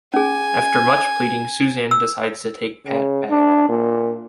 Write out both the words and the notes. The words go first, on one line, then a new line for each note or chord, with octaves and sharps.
After much pleading, Susan decides to take Pat back.
C#4 G#4 G#5
E6
C#3
D4
A#2